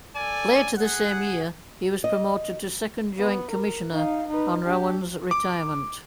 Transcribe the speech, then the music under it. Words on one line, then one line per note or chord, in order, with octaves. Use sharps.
Later the same year, he was promoted to Second Joint Commissioner on Rowan's retirement.
A4 D5 G#5
G#4 F#5
D#5
B3
A#4
D#4 F5
D#4 B4
D4 G4
D6